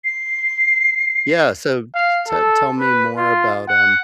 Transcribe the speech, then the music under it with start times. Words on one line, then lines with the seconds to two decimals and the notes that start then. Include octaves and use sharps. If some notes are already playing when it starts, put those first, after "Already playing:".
Yeah, so t t tell me more about, um,
0.04 C7
1.95 F5
2.28 A4
2.79 B4
3.17 F4
3.69 F#5